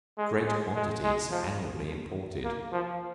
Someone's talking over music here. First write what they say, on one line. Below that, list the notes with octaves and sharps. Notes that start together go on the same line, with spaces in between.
Great quantities are annually imported.
G#3
G#3
G#3
G#3
F3
A#3
F3